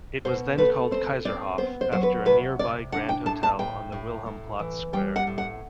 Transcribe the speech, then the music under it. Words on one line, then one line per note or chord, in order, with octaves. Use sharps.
It was then called "Kaiserhof" after a nearby grand hotel on the Wilhelmplatz square.
B2 C5
A3 B4
C4 C5
C4 D5
B3 C5
C5
F#3 C5
B4
C3 B4
C3 D5
D4 F#5
G5
A2 A5
A5
A2 G5
A2
A2
E3
G3 G5
F#5
A2
F#5